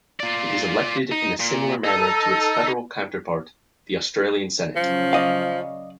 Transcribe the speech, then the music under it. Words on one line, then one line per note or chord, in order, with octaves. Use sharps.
It is elected in a similar manner to its federal counterpart, the Australian Senate.
F4 D5
D#4
A#2
D#4 A4
C#3 F3 F#3 C#4
D5 D#5 F5